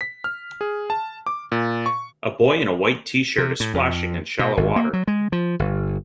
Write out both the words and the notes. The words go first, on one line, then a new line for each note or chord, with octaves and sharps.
A boy in a white tshirt is splashing in shallow water.
B6
F6
G#4
A5
D6
A#2
C#6
C3
A2
F2
B2
G#1
A#3
F#3
G#3
F3
G1